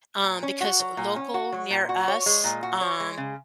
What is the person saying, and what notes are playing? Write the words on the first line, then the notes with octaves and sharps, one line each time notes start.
um, because local near us, um,
A#2
C#4
F#4
F#3
A#2
C#4
F#4
F#3
A#2
F#4
C#5
G#3
A#2
F#4
C#5
G#3
C#3